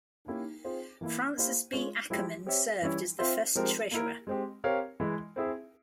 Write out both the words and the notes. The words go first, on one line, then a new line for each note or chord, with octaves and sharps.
Frances B. Ackerman served as the first Treasurer.
A#3 C#4 E4 G4
C4 F4 G#4 C5
E3 A#3 E4
A#3 E4 G4 C5 F5
G#3 C#4 F4
F3 G#3 E4 G4
C4 G4 C#5 E5
E3 G3 C#4 E4
C4 F4 C5 E5
F3 G#3 C4 G4 A#4
A#3 E4 A#4
G#3 C4 G4
C4 G4 A#4 C#5 F5
E3 G#3 E4
C4 E4 G#4 E5